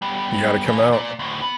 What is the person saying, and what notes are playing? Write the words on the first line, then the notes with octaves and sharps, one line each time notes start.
You gotta come out.
G3 B3
E3 A#3
A#3 D5
D2 A2
B3